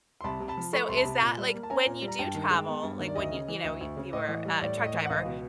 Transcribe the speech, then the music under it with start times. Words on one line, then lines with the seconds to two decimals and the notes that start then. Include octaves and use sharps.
So, is that like when you do travel, like, when you, you know, you if you were a truck driver
0.21 C6
0.24 C2 A5 B5
0.40 C3
0.48 A5 B5
0.57 F3
0.73 A3 B5 C#6
0.89 C2 C6
0.97 A5 B5
1.05 C3
1.21 A#2
1.37 G3
1.54 A#3
1.63 A5
1.70 C#4 G#5 A#5
1.86 A#2
2.02 G3
2.08 A#5
2.19 G2 G5 A5
2.35 D#3
2.51 G#3
2.67 B3
2.83 G2
2.99 D#3
3.08 D5
3.15 D2 D#5
3.32 C#3
3.48 E3
3.64 D2
3.81 D2
3.97 C#3
4.13 A2 D#5
4.28 E3
4.45 G3
4.61 A2 D5
4.77 A2
4.86 D#5
4.94 E3
5.06 F#5
5.10 C#2 D#5 F5
5.25 B2